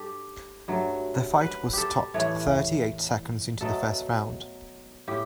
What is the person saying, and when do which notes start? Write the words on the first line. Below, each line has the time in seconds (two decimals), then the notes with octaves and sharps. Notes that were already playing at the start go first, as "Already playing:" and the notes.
The fight was stopped thirty eight seconds into the first round.
Already playing: G2 G4 A4
0.68 G2 F#3 A3
1.41 B4
1.73 G4 A4
2.14 A2 E3 A3 C#5
3.61 B2 F#3 A3 A4
5.08 A2 G4